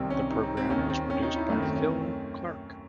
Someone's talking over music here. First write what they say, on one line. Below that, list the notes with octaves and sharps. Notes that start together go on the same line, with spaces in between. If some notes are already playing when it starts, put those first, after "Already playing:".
The programme was produced by Phil Clark.
Already playing: C2 C3 D#3 C4
C#4
D#4
C4
C4
D#2 D#3 C#4
C4
C#4
D#4
E4
F#2 D#3 A3
C4
C#4